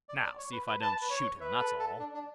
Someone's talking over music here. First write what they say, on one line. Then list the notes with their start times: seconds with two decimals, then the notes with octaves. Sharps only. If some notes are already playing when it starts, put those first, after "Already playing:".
'Now see if I don't shoot him, that's all.'
0.09 D5
0.23 D5
0.38 C#5
0.52 B4
0.67 B4
0.82 B4 A5
1.01 B4
1.11 C#5
1.21 C#5
1.40 B4 E5
1.60 A4
1.79 A4
1.99 D4
2.14 D4